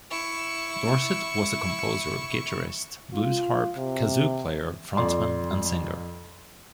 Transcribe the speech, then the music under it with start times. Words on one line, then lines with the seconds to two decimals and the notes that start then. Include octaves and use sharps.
Dorset was the composer, guitarist, blues harp, kazoo player, frontman and singer.
0.10 E4 C#6
3.13 F4
3.77 C3
4.97 F2 D5 C6